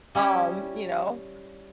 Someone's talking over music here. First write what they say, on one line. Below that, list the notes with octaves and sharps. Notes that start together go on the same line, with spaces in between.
um, you know?
G3 C#4 E4 G4